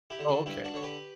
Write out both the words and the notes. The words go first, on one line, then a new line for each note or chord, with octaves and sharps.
Oh, okay,
E4 G4
D3
D4 F#4
G2 E4 G4
D4 F#4
D3 C#5
G4 B4